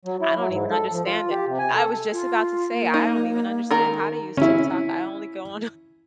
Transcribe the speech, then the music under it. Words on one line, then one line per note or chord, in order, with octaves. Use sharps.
I don't even understand it, I was just about to say I don't even understand how to use TikTok, I only go on
F#3
E4
F#3
G#2
A4
F3
F4
G4
C3
G#5
A4
F4
A#3
D#4
D#3 A#4 A#5
C#4 E4